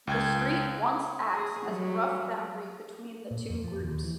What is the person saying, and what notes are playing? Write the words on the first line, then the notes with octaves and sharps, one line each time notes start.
The street once acts as a rough boundary between the two groups.
C#2 G5 G#6
G#4
F#3 G3
A#2
F2
F3
D#2
E3